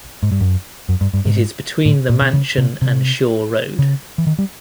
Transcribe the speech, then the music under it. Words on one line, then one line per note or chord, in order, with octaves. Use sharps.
It is between the mansion and Shore Road.
G#2
G2
F#2
F#2
G2
G2
G#2
A2
A#2
C3
C#3
C3
C3
C#3
E3
D#3
G3